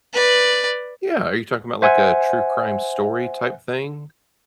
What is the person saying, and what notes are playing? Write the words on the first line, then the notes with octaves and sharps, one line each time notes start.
Yeah, are you talking about like a true crime story type thing?
B4 D5
C5 E5 F#5 G#5